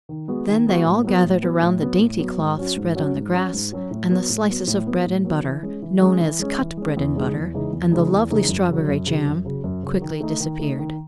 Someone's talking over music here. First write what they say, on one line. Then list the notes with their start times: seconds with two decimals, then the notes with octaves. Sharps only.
Then they all gathered around the dainty cloth spread on the grass, and the slices of bread and butter, known as "cut bread and butter," and the lovely strawberry jam quickly disappeared.
0.09 D#3
0.28 G#3 B3 F#4
0.48 D#3
0.66 G#3 B3 F#4
0.86 A2
1.04 F#3 B3
1.24 A2
1.42 F#3 B3
1.62 A2
1.80 F#3 B3
1.99 A2
2.19 F#3 B3
2.38 G#2
2.57 F#3 C#4 F#4
2.76 G#2
2.95 F#3 C#4 F#4
3.15 G#2
3.34 F#3 C#4 F#4
3.53 G#2
3.72 F#3 C#4 F#4
3.91 A2
4.10 F#3 B3
4.29 A2
4.49 F#3 B3
4.67 A2
4.87 F#3 B3
5.06 A2
5.25 F#3 B3
5.43 E3
5.63 G#3 C#4
5.82 E3
6.01 G#3 C#4
6.20 E3
6.39 G#3 C#4
6.59 E3
6.77 G#3 C#4
6.97 E2
7.16 C#3 E3 G#3 D#4
7.35 E2
7.54 C#3 E3 G#3 D#4
7.73 E2
7.91 C#3 E3 G#3 D#4
8.11 E2
8.30 C#3 E3 G#3 D#4
8.49 F#2
8.68 C#3 F#3
8.88 F#2
9.06 C#3 F#3
9.26 F#2
9.45 C#3 F#3
9.64 F#2
9.83 C#3 F#3
10.02 D#3
10.20 A3 D#4
10.40 D#3
10.59 A3 D#4
10.79 D#3